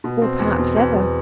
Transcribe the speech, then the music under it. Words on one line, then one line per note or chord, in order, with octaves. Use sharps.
"Or perhaps ever."
B2
C4
E2
B2
E2
E2